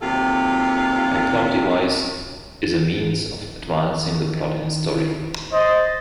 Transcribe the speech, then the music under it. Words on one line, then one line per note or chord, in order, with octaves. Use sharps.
A plot device is a means of advancing the plot in a story.
D#2 C3 F#3 F4 A4 F5
D#3
C5 D#5 A6